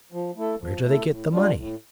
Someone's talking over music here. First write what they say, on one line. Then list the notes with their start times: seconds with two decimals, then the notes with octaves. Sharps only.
"Where do they get the money?"
0.12 F3
0.36 A3 E4 A4
0.60 F3
0.84 A3 E4 A4
1.08 A2
1.32 G3 D4 F4
1.56 A2